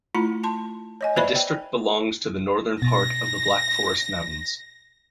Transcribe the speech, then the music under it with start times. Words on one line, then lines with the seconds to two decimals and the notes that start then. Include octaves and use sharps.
The district belongs to the northern part of the Black Forest mountains.
0.15 A3 E4 F4 A#5 B5
0.44 A5 C6
1.01 C#5 D#5 G#5
1.16 B4 C5 D5 E5 B5
1.36 G5
2.82 B2 A6 A#6